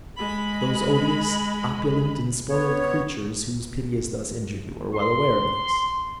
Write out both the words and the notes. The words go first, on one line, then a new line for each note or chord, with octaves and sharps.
Those odious, opulent, and spoiled creatures whose pity has thus injured you are well aware of this.
G#3 B5
B3 C#5
C6